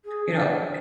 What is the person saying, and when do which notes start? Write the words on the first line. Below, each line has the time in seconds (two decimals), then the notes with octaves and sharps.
you know,
0.05 G#4
0.29 D4